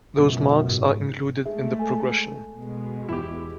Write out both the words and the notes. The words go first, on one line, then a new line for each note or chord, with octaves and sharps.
Those marks are included in the progression.
C#2 F#2 B2
G#2
G#3 A3 G#4 E5
A4 G#5
B2 G#3
E2 E4 G4